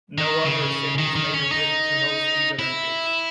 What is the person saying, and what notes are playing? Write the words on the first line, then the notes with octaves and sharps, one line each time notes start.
No other cities made a bid to host these Olympics.
D#3
C#3
D#3
D#3
C#4
D#4
E4